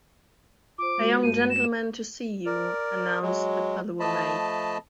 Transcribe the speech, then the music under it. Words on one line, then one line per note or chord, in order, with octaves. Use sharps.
"A young gentleman to see you," announced the parlour-maid.
F4 C5 D6
G#3 F#4
G2 A3 G6 D#7
A#6 E7
A#4 D5
F#3 G#3
F3 A3 D#5 A5 B5